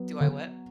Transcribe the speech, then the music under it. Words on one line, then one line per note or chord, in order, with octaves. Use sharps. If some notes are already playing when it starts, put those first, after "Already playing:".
Do I what?
Already playing: F#3 B3
D3